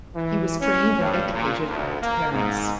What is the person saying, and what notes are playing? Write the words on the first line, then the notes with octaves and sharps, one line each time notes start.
He was trained and educated by his parents.
E3
C#4
G2
A#2
D2
A#3
G#2